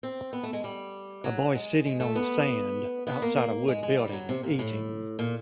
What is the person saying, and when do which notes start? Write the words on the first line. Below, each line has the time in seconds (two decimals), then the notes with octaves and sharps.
A boy sitting on sand outside a wood building eating.
0.03 C4
0.33 B3
0.43 A3
0.53 G#3
0.64 G3
1.24 F#3
1.55 G#3
1.85 G#3
2.00 A3
2.16 B3
3.07 B3
3.22 A#3
3.36 A#3
3.68 G#3
3.83 G#3
3.98 G3
4.13 F#3
4.29 C3
4.43 A#2
4.59 A2
5.19 A#2